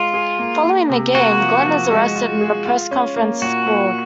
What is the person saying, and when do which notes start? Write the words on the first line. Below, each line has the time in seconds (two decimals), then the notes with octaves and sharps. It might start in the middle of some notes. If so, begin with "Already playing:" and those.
Following the game, Glen is arrested and a press conference is called.
Already playing: G#3 F4 G#4
0.14 G#4
0.39 A#3
0.65 A#3
0.90 C3
1.15 A#3 F#4
1.40 F3
1.65 F3
1.91 G#3
2.15 F4
2.41 G#4
2.66 F4
2.91 C#4
3.16 A#3
3.42 A#2 F#4
3.66 A#2